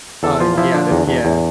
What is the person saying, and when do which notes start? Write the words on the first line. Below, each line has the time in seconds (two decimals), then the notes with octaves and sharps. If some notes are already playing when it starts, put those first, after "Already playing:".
U uh, yeah that yeah,
0.23 E2 A4
0.40 F3 F4
0.57 F3 E4
0.74 D3 D4
0.91 E2
1.07 E2
1.25 E2